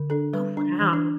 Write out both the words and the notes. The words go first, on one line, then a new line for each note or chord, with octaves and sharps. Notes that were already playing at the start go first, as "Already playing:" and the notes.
Oh, wow.
Already playing: D3
D4 A4
G3 B4
D4
E3
D4